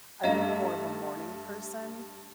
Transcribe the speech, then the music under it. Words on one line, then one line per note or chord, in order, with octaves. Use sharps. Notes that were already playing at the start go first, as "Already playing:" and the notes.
I'm more of a morning person
G2 G3 A3 D#5 F5 A#5